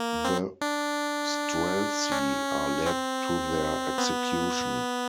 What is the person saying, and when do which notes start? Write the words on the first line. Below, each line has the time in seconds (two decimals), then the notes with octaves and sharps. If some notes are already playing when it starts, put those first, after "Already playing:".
The Streltsy are led to their execution.
Already playing: A#3
0.25 C4
0.61 D4
2.12 C#4
2.86 C4
3.98 B3